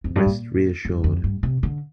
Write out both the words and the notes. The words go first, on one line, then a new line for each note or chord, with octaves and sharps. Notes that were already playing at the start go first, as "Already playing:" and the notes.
Rest reassured.
F2
G2
A#2
G2
F2
G2
C3
D3